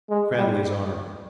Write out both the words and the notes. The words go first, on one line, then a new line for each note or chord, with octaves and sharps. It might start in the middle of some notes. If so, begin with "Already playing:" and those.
Cranly's arm.
G#3
G3